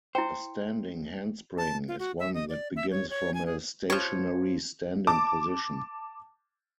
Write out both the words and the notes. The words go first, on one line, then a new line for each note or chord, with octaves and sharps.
A "standing" handspring is one that begins from a stationary standing position.
E4 C5 G5
A5
F4
F#4
E5
D#5
D5
E5
C#5
C#5
G#5
G#4
F3 C#5
A5 D6